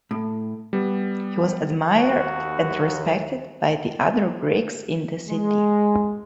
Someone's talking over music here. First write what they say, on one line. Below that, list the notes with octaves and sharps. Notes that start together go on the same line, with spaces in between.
He was admired and respected by the other Greeks in the city.
A2
G3 B3
D#2 F#4
G#3